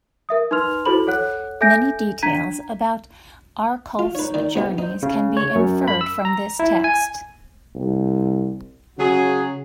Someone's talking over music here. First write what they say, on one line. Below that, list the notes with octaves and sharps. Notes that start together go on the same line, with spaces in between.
Many details about Arculf's journeys can be inferred from this text.
A#4 E5 D#6
D#4 B4 C6 F6 F7
E4 F#4 A4 C5 B5 F#7
A4 C#5 F#5 F#6
A4 E5 G#5 G6 A#6 D7
D4 A#5 G#6 B6 D#7
F4
D#4 B4 C#5
D#3 D5
C3 B3 G4
D#4 C5
C#3
C#5
F#2
B5
E6
A#5
E4
G#5
C2
C#3 F#3 F#4 G#4